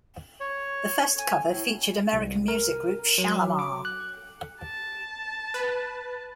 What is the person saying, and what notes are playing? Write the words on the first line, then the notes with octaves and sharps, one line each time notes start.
The first cover featured American music group Shalamar.
C#5
G#5
A2
C2
A#4
F#3
D6
F#6
A5
B4